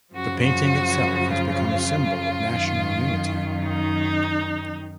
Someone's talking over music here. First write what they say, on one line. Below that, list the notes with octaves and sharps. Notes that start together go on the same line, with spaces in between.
The painting itself has become a symbol of national unity.
F#2 C#3 F3 F#4
F#4
F4
F#2 D#3
D#4